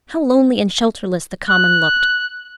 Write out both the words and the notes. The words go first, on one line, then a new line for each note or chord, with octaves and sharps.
How lonely and shelterless the common looked!
F#6